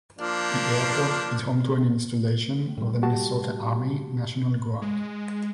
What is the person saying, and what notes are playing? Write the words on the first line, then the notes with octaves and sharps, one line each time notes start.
The airport is home to an installation of the Minnesota Army National Guard.
F3 A#3 D4
A2 G3
F#4 G4 A5
G#3